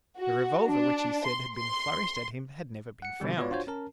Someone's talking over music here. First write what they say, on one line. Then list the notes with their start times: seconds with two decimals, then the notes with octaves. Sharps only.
The revolver which he said had been flourished at him had never been found.
0.19 F#4
0.68 D4
1.26 C6
1.56 C6
3.02 F#5 C#7
3.20 B2 D3 G3 G4
3.37 B3 F4 F#4 B4 C#5 D5
3.50 D4 F4 F#4 C5 C#5
3.67 C#4 A#4 A5